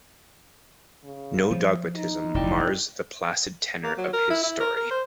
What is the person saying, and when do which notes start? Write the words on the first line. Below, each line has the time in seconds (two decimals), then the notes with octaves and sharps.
No dogmatism mars the placid tenor of his story.
1.05 C#3
1.51 F3
1.96 D#4
2.34 F1 D2 E4 D5 G5
3.84 A#3
3.97 F#3
4.13 A#4
4.30 E4
4.43 E4
4.60 A#4
4.77 A#4
4.91 C5